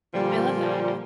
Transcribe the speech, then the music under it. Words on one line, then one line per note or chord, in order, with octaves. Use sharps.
I love that.
A#2 D3 F3 G3